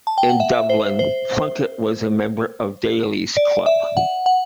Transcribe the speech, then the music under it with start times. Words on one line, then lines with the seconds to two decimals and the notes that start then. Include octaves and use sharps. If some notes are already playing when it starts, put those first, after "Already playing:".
In Dublin, Plunket was a member of Daly's Club.
0.07 A5
0.18 G5
0.29 F#5
0.40 E5
0.70 C5
0.99 C5
3.37 D5
3.66 E5
3.97 F#5
4.26 F#5